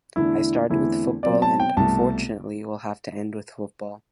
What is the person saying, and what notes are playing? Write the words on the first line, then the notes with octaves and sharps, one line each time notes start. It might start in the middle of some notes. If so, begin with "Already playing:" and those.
I started with football and, unfortunately, will have to end with football.
E2 D3 A3 D4 E4
E2 D3 A3 C4 E4
B2 F#3 C4 D5
A5
G5
C2 B2 A3 A5